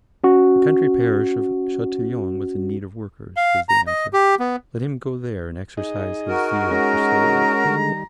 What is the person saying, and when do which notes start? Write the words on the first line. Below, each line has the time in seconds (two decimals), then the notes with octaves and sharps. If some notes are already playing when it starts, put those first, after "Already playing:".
The country parish of Chatillon was in need of workers, was the answer; let him go there and exercise his zeal for souls.
0.24 C#4 F#4
3.36 F5
3.69 A#5
3.87 D#5
4.13 G4
4.40 B3
5.77 D#4 G#4 D#5
6.28 F#4 A#4
6.71 G#3 C#4 A#5
7.65 D3 D#3 G3 G#3